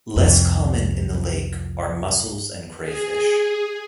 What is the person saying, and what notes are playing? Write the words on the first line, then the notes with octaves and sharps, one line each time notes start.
Less common in the lake are mussels and crayfish.
C2 F2
G#4